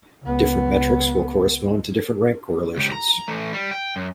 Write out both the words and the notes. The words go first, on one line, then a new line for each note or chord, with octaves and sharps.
Different metrics will correspond to different rank correlations.
C#2 B3
C#2 G4
A#5
E3 A3
G3
G5
F#2